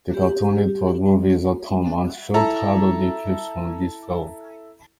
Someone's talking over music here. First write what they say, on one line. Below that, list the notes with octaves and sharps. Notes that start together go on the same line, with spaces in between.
The Cartoon Network "Groovies" Atom Ant short had audio clips from this film.
G4
E4 A4 A#5